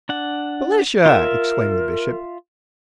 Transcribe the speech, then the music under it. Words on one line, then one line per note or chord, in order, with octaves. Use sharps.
"Felicia!" exclaimed the Bishop.
D4 F#5
F4 A#4 E5